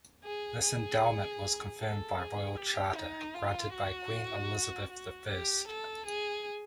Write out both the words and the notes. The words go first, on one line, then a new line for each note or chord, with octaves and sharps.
This endowment was confirmed by Royal Charter granted by Queen Elizabeth the First.
G#4
G#4
A4
G#4
G4
D#4
F4
F#4
F#4
G4
A4
G#4